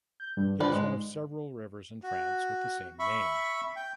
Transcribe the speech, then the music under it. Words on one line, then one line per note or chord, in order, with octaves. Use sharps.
It is one of several rivers in France with the same name.
G6
G2
D3 F3 B4 D5
G#2 G#3
F#4
E5 B5 C#6
G5